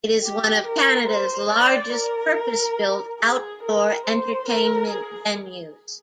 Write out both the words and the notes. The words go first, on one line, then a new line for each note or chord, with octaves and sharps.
It is one of Canada's largest purpose-built outdoor entertainment venues.
G4
A#4
C5
D5
A#4
G#4
A#4
C5
A#4
G#4